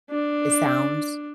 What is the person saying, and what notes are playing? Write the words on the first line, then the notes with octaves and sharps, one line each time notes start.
it sounds
D4